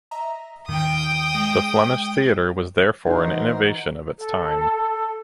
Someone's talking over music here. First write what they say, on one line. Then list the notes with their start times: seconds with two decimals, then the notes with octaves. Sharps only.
The Flemish theatre was therefore an innovation of its time.
0.11 D#5 E5 A#5
0.68 D#2 A2 D#3 G5 D#6
1.34 G#3
3.07 E3 D#4 F#4 A#4 C5
4.18 A4